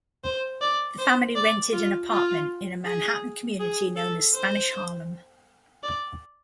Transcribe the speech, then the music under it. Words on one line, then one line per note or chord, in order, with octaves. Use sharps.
The family rented an apartment in a Manhattan community known as Spanish Harlem.
C5
D5
C5
D5
F4
F4
G#4
G#4
A4
C5
D5